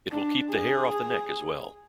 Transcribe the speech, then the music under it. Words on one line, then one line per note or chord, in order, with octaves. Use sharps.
It will keep the hair off the neck as well.
D4
G#4